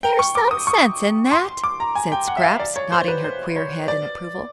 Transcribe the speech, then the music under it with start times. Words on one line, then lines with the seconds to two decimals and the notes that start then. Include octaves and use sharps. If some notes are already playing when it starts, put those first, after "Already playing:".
"There's some sense in that," said Scraps, nodding her queer head in approval.
0.03 G5
0.19 C#6
0.35 D6
0.51 D#6
0.67 C#6
1.32 C6
1.64 D6
1.80 A#5
1.95 G#5
2.12 G5
2.28 F#5
2.37 E5
2.43 F5
2.60 D5
2.76 C#5
2.92 C5
3.08 B4
3.24 C5
3.56 C#5
3.88 D5